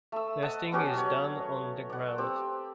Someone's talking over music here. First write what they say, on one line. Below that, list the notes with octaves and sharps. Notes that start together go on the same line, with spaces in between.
Nesting is done on the ground.
A3 E6
D#5 F#5 A5
B3 C#4 F#4 G4
F#3 C#5
D5 F#5
C4 G4